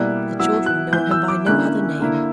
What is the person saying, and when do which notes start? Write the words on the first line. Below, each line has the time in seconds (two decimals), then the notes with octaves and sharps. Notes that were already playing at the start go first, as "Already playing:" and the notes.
The children know him by no other name.
Already playing: B2 G3 A#3 E4 F#6
0.39 F#3 B3 E4 E6
0.66 F#6
0.93 E3 B3 E4 G6
1.11 E6
1.28 D6
1.47 D3 A#3 C#4 E4 F#6
2.00 D3 A#3 E4